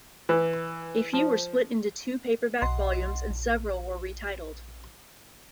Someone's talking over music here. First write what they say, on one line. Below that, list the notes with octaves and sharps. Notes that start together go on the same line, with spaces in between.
A few were split into two paperback volumes, and several were retitled.
E3
F3
B1 D#5 F#5 C6
A#1